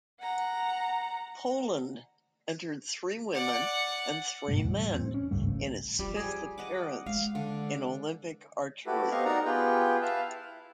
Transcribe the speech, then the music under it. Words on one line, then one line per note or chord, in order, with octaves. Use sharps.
Poland entered three women and three men in its fifth appearance in Olympic archery.
F#5 A#5
D5 F#5
G2 B2 A3
E2 A2 G3
C4
C#4
G#1 C#2 G2 A3
G3 F4
G3 G#4
D#5 F#5 D6
G#3 F5
D3
A3 E4 F#4 G4 A4 B4
B3 C4 G4 D#5 F5 C#6
D#4 F#4 A#4 D5 F#5 A#5
B3 F4 G4 G#4 B4 G5
B4 E5 F5 A5
E4